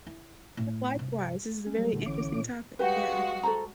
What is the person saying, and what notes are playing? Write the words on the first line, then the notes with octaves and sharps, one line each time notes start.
Yeah, likewise, this is a very interesting topic, yeah.
E4
A2
G2 C3
C#4
F#3 G3 A3
A#2 D3
A1 E3 C#4 D6
A#2
G3 G#3 F#4 G4 B4 F5 F#5
A4 C5 A#5